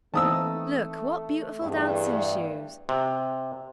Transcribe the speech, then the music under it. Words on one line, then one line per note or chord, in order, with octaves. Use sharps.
"Look, what beautiful dancing shoes!"
E3 A3 C4 D#4 A5 D#6 E6
E2 G2
C3